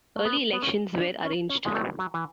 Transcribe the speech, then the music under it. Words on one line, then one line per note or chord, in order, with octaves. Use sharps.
Early elections were arranged.
A3
B3
B3
C#4
D4
C#4
C#4
G#3
A3
F#3
E3